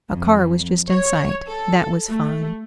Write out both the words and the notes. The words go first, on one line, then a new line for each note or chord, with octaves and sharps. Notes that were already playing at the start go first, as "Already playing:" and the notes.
A car was just in sight--that was fine!
F2
C#5
A4
A3